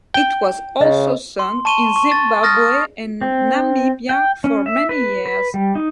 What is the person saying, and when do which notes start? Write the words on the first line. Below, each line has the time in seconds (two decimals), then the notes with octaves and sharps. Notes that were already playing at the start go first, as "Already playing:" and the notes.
It was also sung in Zimbabwe and Namibia for many years.
0.14 G5
0.81 C#3 D#5
1.39 C6
1.65 A5 C#6 D#7 E7 G7
1.96 C#6
2.12 A6
2.43 D#6 F6 A6 A#6
3.21 C4
4.09 G5
4.44 C#4
4.66 E5
4.89 B4
5.26 B4
5.54 G3
5.75 D#4